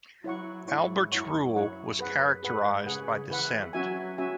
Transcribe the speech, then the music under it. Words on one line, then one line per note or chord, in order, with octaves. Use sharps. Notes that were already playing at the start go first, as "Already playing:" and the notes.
Albert's rule was characterised by dissent.
F#3 E4 C#5 F#5 C#6
G#2 E4 C#5 F#5 C#6
F#2 E4 C#5 F#5 C#6
E4 C#5 F#5 C#6
G#4 B4 F#5
G#2 G#4 B4 F#5
C#3 G#4 B4 F#5
E3 G#4 B4 F#5
F#3 C#4 F#4 E5 G#5
C#4 F#4 E5 G#5